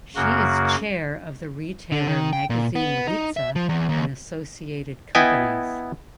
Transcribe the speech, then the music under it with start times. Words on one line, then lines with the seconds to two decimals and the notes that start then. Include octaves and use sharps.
She is chair of the retailer Magazine Luiza and associated companies.
0.16 F#2 C#3 A#3 F#4
1.92 D3
2.07 D#3
2.33 G5
2.50 A#2
2.76 B3
3.07 D#4
3.37 E5
3.56 F3
3.69 E2
3.89 D#2
5.15 B3 E4 D#5 G5 G#5